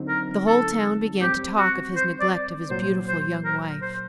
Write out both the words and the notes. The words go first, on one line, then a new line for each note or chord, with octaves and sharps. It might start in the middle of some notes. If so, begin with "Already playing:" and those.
The whole town began to talk of his neglect of his beautiful young wife.
Already playing: D2 D3 F#3 C4 D#4
A#4
A4
A2 G3 C4 G4
F#4
C5
D5
C2 A#2 F#3 C5
C5
A#4
C5